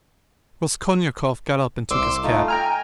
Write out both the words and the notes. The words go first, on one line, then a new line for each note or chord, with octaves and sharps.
Raskolnikov got up and took his cap.
C2 C6 D6 E6
A3 D#4 F4
G5 G#5 A#5 F6